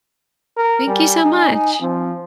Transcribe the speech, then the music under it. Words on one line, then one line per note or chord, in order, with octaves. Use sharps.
Thank you so much.
A#4
G3 G#5
D#4
F3 C4